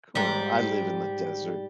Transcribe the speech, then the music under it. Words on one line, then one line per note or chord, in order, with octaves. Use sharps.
Cool, I live in the desert.
G#2 G3